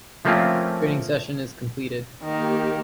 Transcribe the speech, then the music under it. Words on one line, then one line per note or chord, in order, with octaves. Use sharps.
Training session is completed.
F3 A3 A#3 C4 C#4 F4
D#3 A#3 G4